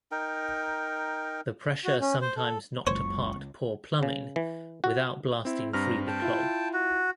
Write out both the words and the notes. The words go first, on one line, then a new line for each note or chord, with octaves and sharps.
The pressure sometimes knocked apart poor plumbing without blasting free the clog.
D#4 A#4 G5
F#4
C#4
C5
A4
F#1 C#2 C5 C#5 C#6
C#3
E3
F#4
C4 E4
G2 C4 A#5 F6
G5 A5
E4 F4
F#4